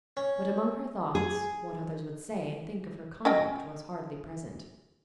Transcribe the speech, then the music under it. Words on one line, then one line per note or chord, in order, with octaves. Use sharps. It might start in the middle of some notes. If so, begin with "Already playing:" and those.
But among her thoughts, what others would say and think of her conduct was hardly present.
C#4
G#4
C#4 D#5 G5